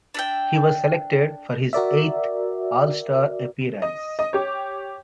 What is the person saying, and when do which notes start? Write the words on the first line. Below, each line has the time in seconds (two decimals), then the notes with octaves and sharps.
He was selected for his eighth All-Star appearance.
0.14 D4 E5 G5
1.73 F#4 A#4 D5 E5
3.82 D#5
4.19 D#5
4.33 G4 C#5